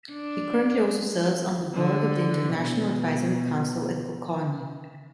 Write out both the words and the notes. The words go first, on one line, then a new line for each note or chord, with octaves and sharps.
He currently also serves on the board of the International Advisory Council at Bocconi.
D4
D3
B2